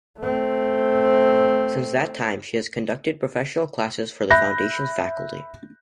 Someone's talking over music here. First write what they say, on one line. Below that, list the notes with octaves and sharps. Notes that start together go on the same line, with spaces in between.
Since that time, she has conducted professional classes for the Foundation's faculty.
A3 C4
E5 B5 F#6 G6 A#6